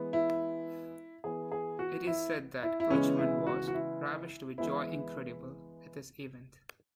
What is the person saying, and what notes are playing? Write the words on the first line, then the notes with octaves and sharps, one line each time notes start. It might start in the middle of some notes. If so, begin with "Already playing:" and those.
It is said that Richmond was "ravished with joy incredible" at this event.
Already playing: E3 G#3 B3
E4
E3 B3 G#4
G#4
F#4
E4
E4
E4
C#3 E3 G#3 B3 C#4
E4
F#4
F#4
E4
E3 G#3 B3 E4